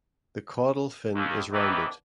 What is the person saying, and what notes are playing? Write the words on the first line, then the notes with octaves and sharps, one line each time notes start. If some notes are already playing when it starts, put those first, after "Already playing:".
The caudal fin is rounded.
D#2
D#3 E3 B3 C4 D4 A4